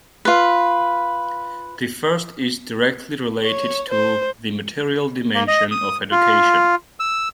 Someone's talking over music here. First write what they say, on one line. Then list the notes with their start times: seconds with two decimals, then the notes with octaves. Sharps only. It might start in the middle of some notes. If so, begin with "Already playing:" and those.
The first is directly related to 'the material dimension' of education.
0.25 F4 B4
3.43 C#5
3.89 C5
5.35 A#3
5.48 D#5
5.71 D#6
6.12 F4
7.00 E6